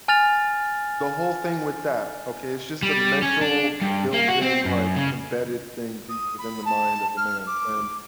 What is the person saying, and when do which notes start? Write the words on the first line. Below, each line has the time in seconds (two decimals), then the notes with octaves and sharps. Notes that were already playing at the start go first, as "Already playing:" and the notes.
the whole thing with that, okay, is just a mental built-in, like, embedded thing deep within the mind of a man and
0.08 G#5 F6 A6 F7
2.83 G3
3.22 C#4
3.41 D4
3.82 G2
4.14 A#3
4.28 F#4
4.42 C4
4.66 F#2
4.97 C#3
6.09 D#6
6.39 B5
6.65 A5
7.17 F6
7.47 D6